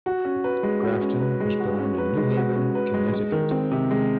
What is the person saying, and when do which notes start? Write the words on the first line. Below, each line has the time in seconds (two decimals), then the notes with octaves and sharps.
Grafton was born in New Haven, Connecticut.
0.06 F#4
0.25 C#4
0.44 B4
0.63 G#3
0.82 F#4
1.01 C#4
1.20 B4
1.40 G#3
1.60 F#4
1.79 C#4
1.98 B4
2.17 G#3
2.36 F#4
2.55 C#4
2.75 B4
2.94 G#3
3.13 G#3
3.32 D#3
3.51 C4
3.71 C3
3.91 G#3